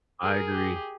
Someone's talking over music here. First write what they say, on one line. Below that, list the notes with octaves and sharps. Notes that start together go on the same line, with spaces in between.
I agree.
G#4 A#4
G4